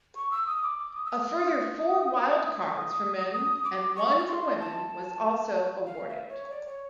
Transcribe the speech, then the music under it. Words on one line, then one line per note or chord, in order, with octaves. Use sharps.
A further four wildcards for men and one for women was also awarded.
C#6
E6
D#6
D6
D6
D#6
E6
D#6
D#6
D#6
D#6
D6
C#6
C#6
C6
A5
F5
E5
C#5
D5
C#5